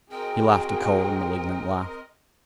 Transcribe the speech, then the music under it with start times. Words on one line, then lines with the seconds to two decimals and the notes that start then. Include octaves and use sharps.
He laughed a cold and malignant laugh.
0.11 C4 F#4 G#4 A#4 D#5 G5